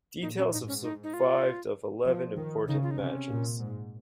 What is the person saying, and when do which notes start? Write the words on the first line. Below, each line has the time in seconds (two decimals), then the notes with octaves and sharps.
Details have survived of eleven important matches.
0.22 A#2 D#4
0.38 C#4
0.53 G#2 D#4
0.68 C#4
0.83 D#4
1.03 D#4
1.14 F4
2.06 F3
2.37 D#3
2.67 C#3 D#4
2.83 F4
2.91 D#4
2.98 C3 C#4
3.29 A#2
3.60 G#2